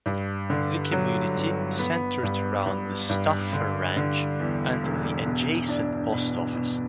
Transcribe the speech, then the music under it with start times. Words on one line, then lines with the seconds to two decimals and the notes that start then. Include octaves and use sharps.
The community centered around the Stauffer ranch and the adjacent post office.
0.06 G2
0.50 D3
0.92 F#3
1.36 G1
1.79 B3
2.23 G2
2.66 G2
3.09 G2
3.53 D3
3.97 D3
4.40 E2
4.83 E1
5.26 B2
5.69 D4
6.12 B2
6.55 B2